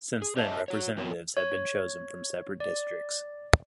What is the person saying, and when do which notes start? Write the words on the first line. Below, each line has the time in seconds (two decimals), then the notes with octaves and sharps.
Since then, Representatives have been chosen from separate districts.
0.22 G#4
0.36 G4 C5 C#5 D#5 E5 A5
0.68 F#4 C#5
0.97 F3 B3 C4 A#4 C#5
1.37 C#5
2.60 D5